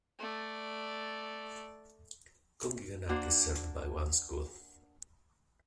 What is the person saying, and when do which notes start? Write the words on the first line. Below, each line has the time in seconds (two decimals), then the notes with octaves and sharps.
Kongiganak is served by one school.
0.19 A3 D5
3.09 A#3 D4 F#4 C5